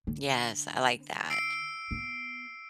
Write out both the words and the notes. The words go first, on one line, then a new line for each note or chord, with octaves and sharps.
Yes, I like that.
D3
E6 C7 D7
B3